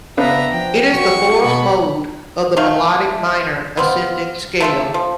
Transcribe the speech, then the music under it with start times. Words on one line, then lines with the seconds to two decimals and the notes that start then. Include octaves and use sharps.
It is the fourth mode of the melodic minor ascending scale.
0.17 C#3 B3 D4 E5 F5 A#5
0.52 F3 G5
0.94 F#4 C#6
1.45 B2 B5
2.57 A3 D#4 C#5 F5
3.77 B3 C4 F4
4.60 A3 F4 A4
4.94 F3